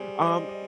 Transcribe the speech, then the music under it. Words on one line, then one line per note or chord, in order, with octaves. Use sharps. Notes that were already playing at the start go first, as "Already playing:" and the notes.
Um, y
Already playing: G3 G#4 C5
C5 D#5
D#5